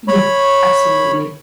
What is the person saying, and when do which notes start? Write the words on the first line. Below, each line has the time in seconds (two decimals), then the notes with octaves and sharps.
Yeah. Absolutely.
0.08 C#5 B5